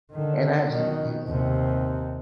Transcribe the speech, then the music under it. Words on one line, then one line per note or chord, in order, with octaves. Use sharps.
and I just didn't,
D3 D#3
B2 D#3
D#2 C3